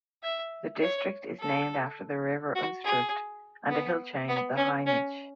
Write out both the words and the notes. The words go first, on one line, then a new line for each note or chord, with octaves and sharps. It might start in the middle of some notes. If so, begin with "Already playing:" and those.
The district is named after the river Unstrut and a hill chain, the Hainich.
E5
C#5
A4
F#4
G#4
B3
B3
C#4
C#4